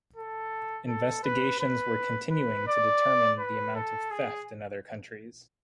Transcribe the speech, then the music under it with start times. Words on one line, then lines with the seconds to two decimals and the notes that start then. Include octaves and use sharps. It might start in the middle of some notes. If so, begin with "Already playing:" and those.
Investigations were continuing to determine the amount of theft in other countries.
0.16 A4
0.88 A4
1.24 B4
1.60 B4
2.31 B4
2.67 D5
3.39 B4
3.75 A4
4.11 G#4